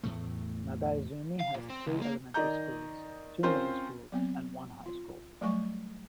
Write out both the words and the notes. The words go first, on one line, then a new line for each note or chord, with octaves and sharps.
Nagaizumi has three elementary schools, two middle schools and one high school.
E2 A2 A3
F5
A#2
C4
C#2
A#3
D#3 D5 D#5 A#5 G6
C4 C#4 F4 A#4 C5
F#3 B3 C4
F4
F#3 G3 A3 F#5 G#5 C#6